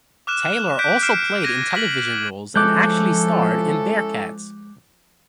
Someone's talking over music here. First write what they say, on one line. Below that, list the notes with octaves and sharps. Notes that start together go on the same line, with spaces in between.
Taylor also played in television roles and actually starred in Bearcats!
D6 F6 F#6 E7
F#6 G6 B6 D7
F6 C7 D7 E7
G#6 A#6 D#7
B6 F#7
F3 G#3 C#4 E4 A4 D6 F#6 G6